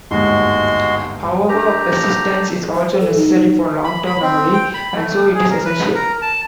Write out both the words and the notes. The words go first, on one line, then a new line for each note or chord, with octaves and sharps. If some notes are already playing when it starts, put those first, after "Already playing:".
However persistence is also necessary for long-term memory, and so it is essential.
G1 D#2 G#2 G#3 F#4 C6
A3 D4 G4 A#4 A#5
C5
A4
D#4
B5
B5
C4
G5
B5
A3
G#4
A#4
B4
A#4
A5